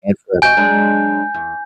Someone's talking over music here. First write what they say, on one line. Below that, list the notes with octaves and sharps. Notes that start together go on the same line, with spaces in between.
and for
C3 F#4 D#5 G#5 G6
F#3 G#3 D4
E2